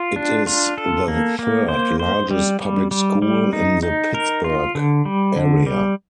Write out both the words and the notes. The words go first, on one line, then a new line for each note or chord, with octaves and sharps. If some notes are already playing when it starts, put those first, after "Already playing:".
It is the third largest public school in the Pittsburgh area.
Already playing: F4
D4
F4
A4
A#3
A#3
C5
C5
G3
G3
G3
G3
D#4
D#4
A#4
F4
D3
G3
D3
G3